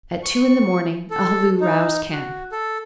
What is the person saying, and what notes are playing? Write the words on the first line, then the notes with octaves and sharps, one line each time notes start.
At two in the morning a halloo roused camp.
C#6
A4
D#4
F#4
A4